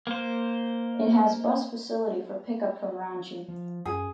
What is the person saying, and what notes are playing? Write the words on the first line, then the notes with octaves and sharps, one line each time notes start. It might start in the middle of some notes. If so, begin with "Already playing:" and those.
It has bus facility for pickup from Ranchi.
A#3 C5
F3
F#2 G#4